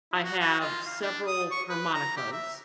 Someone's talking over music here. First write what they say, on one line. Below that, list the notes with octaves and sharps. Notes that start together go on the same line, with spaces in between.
I have several harmonicas,
E4
F#4
F#4
F4
F5
D4
D#6
C#6
B4
A#5
G4
E5